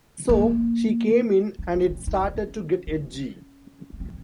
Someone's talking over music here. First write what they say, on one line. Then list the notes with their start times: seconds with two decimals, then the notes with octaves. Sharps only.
So she came in and it started to get edgy.
0.29 A#3
1.59 C#4
1.75 C4
1.90 C#4
2.07 D#4
2.24 C#4
2.87 C#4
3.93 A#3
4.00 C4
4.08 C#4